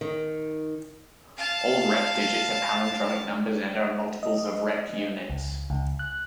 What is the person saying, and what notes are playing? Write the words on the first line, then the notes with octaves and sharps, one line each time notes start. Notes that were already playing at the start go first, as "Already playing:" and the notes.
All repdigits are palindromic numbers and are multiples of repunits.
D#3
F5 A5
D#5
C#2
C#2
F#6